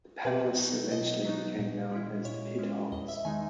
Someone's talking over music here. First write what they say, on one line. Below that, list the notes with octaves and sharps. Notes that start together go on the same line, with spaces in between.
The panelists eventually became known as the Pit Hogs.
B2 B4
F#3 B3 D#4
B2 D#5
F#3 B3 D#4
A#2
G#3 C#4 E4
A#2 C#5
G#3 C#4 E4
E2 D#5
E5
D#3 G#3 D#4 G#5